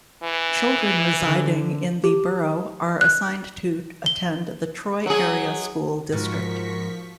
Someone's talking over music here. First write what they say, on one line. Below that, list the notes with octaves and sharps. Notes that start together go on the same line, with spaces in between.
Children residing in the borough are assigned to attend the Troy Area School District.
E3
D3
G4
F#6
G7
F#3 G#4
G#2 F3 F#4 A#4 C#6 B6